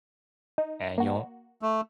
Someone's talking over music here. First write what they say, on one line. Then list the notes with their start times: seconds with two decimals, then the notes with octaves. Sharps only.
and you won't
0.58 D#4
0.98 A#3 F#4
1.62 A3